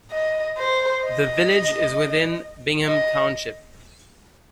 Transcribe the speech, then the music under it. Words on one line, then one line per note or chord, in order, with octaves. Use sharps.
The village is within Bingham Township.
D#5
C5
D#5
D#5